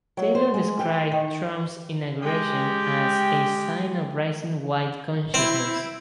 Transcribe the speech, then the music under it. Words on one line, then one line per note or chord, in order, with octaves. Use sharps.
Taylor described Trump's inauguration as "a sign of rising white consciousness".
F#3
C5
G#3
G4
D#3
G#3 G4 G5
C4 E4